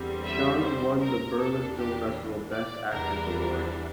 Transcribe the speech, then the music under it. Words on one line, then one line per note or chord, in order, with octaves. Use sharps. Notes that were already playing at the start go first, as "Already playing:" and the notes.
Cheung won the Berlin Film Festival Best Actress award.
Already playing: E2 D3 G3 C4
E5
C5
A#4
E2 E3 A#3 D4 A4
G4
D5
E2 E3 G3 D4 A#4